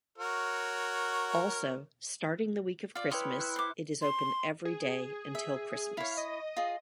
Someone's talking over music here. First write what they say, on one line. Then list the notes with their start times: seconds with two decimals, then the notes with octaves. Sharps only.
Also, starting the week of Christmas, it is open every day until Christmas.
0.18 F#4 A#4 C#5
2.95 F4 D5 F6
3.11 E4 B4 C#5 G5 C6 D#6 C#7
3.40 E4 F#6
3.56 C5 D6
4.02 C6
4.65 G#4
5.35 E5
5.97 E4 C#5 F5
6.17 D#5
6.57 F4 G#4